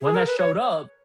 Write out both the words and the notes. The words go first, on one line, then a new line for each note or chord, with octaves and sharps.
when that showed up,
G#4
A#4
B4
C#5